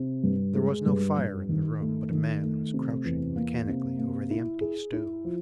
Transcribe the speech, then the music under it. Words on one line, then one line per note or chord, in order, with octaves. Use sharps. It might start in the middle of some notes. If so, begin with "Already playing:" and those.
There was no fire in the room; but a man was crouching, mechanically, over the empty stove.
Already playing: C3
G2
G#3
G2
G2
D#3
A3
D#3
A3
C3
E2
A#3
C3
A#3
E4
G#4
E4
F3